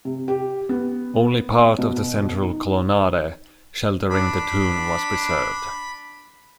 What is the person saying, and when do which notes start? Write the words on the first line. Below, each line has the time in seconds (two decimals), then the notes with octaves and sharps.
Only part of the central colonnade, sheltering the Tomb, was preserved.
0.05 C3
0.28 G4
0.69 B3
1.79 B2
2.42 D#4
4.10 D4 B5